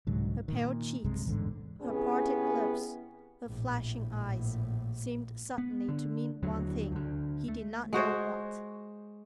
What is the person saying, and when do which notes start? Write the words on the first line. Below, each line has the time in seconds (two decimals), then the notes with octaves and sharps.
Her pale cheeks, her parted lips, her flashing eyes, seemed suddenly to mean one thing--he did not know what.
0.07 C2 G#2 D3 F#3
0.48 A#2 D#3
1.04 B1 G2 C3 G#3
1.26 A1 E2 G#2 D3
1.82 C3 B3 C#4 E4 G#4
3.45 A#1 A2
5.58 B3
5.89 D3
6.43 D#2 D3 F#3
6.92 D2 D3
7.48 A3
7.93 G#3 F#4 C5 C#5